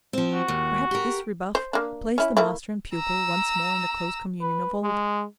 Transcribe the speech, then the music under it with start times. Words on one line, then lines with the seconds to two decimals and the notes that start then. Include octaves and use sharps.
Perhaps this rebuff placed the master and pupil once more in the close communion of old.
0.13 F3 C4
0.34 F#4
0.48 D#2
0.91 G4 A#4
1.55 C5
1.73 A#3 D4
2.18 C#4 E4
2.37 A3 A#3 E4
2.94 A#5 E6
4.40 B4
4.82 G#3